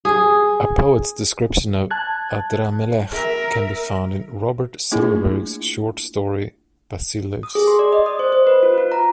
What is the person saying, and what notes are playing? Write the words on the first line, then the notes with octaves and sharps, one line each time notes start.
A poet's description of Adramelech can be found in Robert Silverberg's short story "Basileus".
G#4
A5 F#6 G#6
A#4 E5
A3 A#3 D4 E4 F4 G#4
D#6
G#4
C6
D5
D#5
D#6
C5
C5
B4
F4
F4
A#5